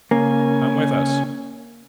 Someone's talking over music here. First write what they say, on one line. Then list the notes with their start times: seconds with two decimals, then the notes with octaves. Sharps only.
"Come with us!"
0.11 C#3 A#3 C#4 G#5